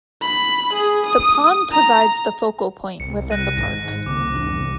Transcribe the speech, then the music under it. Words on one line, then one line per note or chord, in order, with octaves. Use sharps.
The pond provides the focal point within the park.
B5
G#4
D#6
A#5
C2 C#7
F#6 A#6 D#7
G#1 G#2 A#6
C2 C#3 A#3 D6
G#1 E2 D4